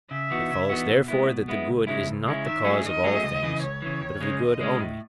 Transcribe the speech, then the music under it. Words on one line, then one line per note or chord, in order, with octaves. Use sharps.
It follows therefore that the good is not the cause of all things, but of the good only?
C#3 E5
E3 B3 D#4 F#4
C#3
E3 B3 D#4 F#4
B2
G#3 B3 E4
B2
G#3 B3 E4
C#2
C#3 G#3 C#4 E4
C#2
C#3 G#3 C#4 E4
D#3 E5
F#3 A3 C#4 G#4
D#3 D#5
F#3 A3 C#4 G#4
C#2
C#3 E3
C#2 C#5
C#3 E3
D#2
C#3 G#3 C#4
D#2 D#5
C#3 G#3 C#4
A2